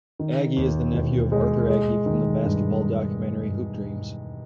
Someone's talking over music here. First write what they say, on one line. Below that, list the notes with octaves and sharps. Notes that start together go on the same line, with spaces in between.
Agee is the nephew of Arthur Agee from the basketball documentary "Hoop Dreams".
D#3
D#2
E1
G#3
G#3
D#3
G2